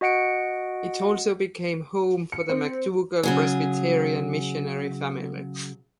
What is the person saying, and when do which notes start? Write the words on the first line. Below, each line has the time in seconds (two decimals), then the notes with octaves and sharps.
It also became home for the McDougall Presbyterian missionary family.
0.01 F#4 D#5 F#5 C#7 D7
2.32 C#7
2.49 C4
3.23 C#3 F#3 G#4